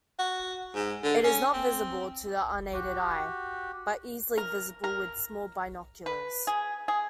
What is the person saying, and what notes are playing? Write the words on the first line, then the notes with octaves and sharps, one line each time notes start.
It is not visible to the unaided eye, but easily visible with small binoculars.
F#4
G#2
D3
C#4
C4
F#4 G4
A#4
A#4
B4
G#4
G#4